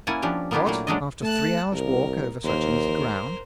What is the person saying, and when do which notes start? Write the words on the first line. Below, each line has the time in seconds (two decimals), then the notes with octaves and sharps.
"What! after three hours' walk over such easy ground."
0.07 A#3 C#4 E4 F#5 G#5 A5
0.22 F3 C#4 D4 G4
0.51 A#3 B3 D4 E4 F4 G4
0.66 A#2 F#3 A3 A#3
0.87 F#3 G#3 C#4 D4 D5 D#5
1.22 A3 A5 F#6
1.73 C2 A#4
2.44 D#2 A#4 C5